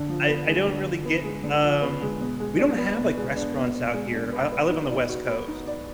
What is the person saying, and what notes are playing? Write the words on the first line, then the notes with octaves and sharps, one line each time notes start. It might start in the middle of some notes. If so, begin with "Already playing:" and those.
I I don't really get, um we don't have, like, restaurants out here. I I live on the West Coast.
Already playing: D3
F3
B3
G#3
D3
F3
B3
G#3
D3
F3
B3
G#3
B2
G#3
D4
B3
B2
G#3
D4
B3
B2
G#3
D4
B3
B3
D#4
D5
F#4
B3
D#4
D5